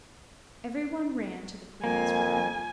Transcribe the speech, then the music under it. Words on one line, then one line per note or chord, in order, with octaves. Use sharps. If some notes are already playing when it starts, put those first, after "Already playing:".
Every one ran to the queen's room.
F2 A#3 G#5